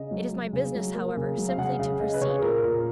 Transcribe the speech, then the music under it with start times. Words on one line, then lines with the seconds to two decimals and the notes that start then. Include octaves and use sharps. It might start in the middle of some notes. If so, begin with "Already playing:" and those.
It is my business, however, simply to proceed.
Already playing: C#3 D#5
0.11 F#3
0.32 F#3
0.53 C#3
0.75 F#3
0.95 A#3
1.17 C#3
1.37 F#3
1.49 F5
1.58 C#3 F#5
1.79 C#3 F5
2.00 C#3 D#5
2.14 B4
2.21 C#3 C#5
2.38 G#4
2.42 A#2 A#4
2.63 A#2